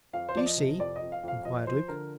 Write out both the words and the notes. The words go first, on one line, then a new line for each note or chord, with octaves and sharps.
Do you see?' inquired Luke.
F2 F5
C5
F3 D5
D#5
C3
F2 D5
D#5
F2
F5
F2 F5
F3 D#5
F3 C5
D3 A#4